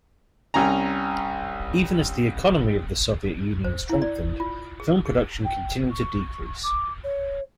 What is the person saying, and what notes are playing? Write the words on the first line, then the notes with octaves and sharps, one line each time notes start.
Even as the economy of the Soviet Union strengthened, film production continued to decrease.
C2 C#4 G#5 A#5
C5
E4
D5
F4
G#4
G#4
G5
C#6
D6
C#5